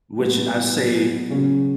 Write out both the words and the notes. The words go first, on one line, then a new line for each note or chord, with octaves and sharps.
which I say
A2 E3 G3 B3
B2 F#3
C#3 F#3 C#4